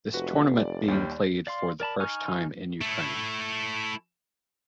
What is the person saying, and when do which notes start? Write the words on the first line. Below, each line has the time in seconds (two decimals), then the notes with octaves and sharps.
This tournament being played for the first time in Ukraine.
0.14 F1 F#4 B4
0.57 D5
0.88 D#2 G3
1.47 D5 F5 C6
1.80 A#4 D5 A5 B5
2.00 D#4 G#5 C#6 F6
2.81 A3 E4